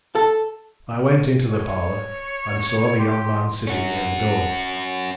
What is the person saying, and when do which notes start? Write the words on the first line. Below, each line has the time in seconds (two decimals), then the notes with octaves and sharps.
I went into the parlour, and saw the young man sitting near the door.
0.15 A4
1.49 C#5
2.98 G4 C6
3.67 C#4 F#4